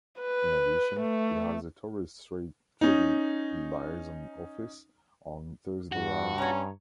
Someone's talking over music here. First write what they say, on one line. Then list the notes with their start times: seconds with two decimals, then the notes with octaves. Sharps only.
In addition, it has a Torres Strait Treaty Liaison Office on Thursday Island.
0.21 B4
1.00 A3
2.81 C#4 D#4
5.92 G2 F#4
6.38 C#4 C#5 A#5